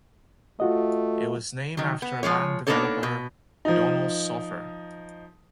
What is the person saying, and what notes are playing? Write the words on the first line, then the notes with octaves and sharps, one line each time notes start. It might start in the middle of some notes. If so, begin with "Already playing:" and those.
It was named after land developer Donald Soffer.
A3 F4 F#4 D#5
D#3 F#3
B3
F3 F#3 G#3 C#5
A#3 B3 D4 D#4 A4 C#5
B2
F3 D#4